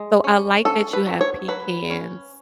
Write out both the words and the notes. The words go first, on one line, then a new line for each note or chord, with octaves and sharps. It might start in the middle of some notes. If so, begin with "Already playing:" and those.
So, I like that you have pecans,
Already playing: G#3
C#4
C#4 A4
B4
F#3
C#5
F#3 B4
C#4